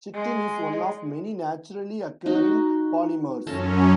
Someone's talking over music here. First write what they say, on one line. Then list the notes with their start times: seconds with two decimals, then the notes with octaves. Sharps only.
Chitin is one of many naturally occurring polymers.
0.14 G#3
2.26 D#4 F#4
3.47 F#2 C#4 F4 A4 A#4